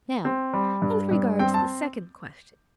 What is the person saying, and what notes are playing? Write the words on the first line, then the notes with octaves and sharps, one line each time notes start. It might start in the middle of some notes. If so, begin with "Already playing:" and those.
"Now as regards the second question."
C4
G3
G2
G2
C4 G5
A5